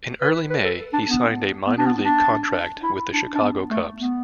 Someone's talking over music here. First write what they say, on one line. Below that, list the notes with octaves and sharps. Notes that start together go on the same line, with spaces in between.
In early May, he signed a minor league contract with the Chicago Cubs.
B4
B4
A4
D4
B3
B3
D4
B3
D4
E4
D4
D4
B3
A3
B3